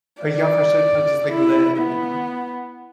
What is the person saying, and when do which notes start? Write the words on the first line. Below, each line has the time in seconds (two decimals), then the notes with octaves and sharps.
Uh, yeah, for sure to just like live, you know.
0.23 D5
1.32 E4
1.78 B3